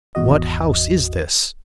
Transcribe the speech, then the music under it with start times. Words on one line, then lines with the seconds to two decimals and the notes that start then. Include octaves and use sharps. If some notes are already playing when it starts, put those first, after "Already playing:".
"What house is this?"
0.15 G#1 E2 F#4 D#5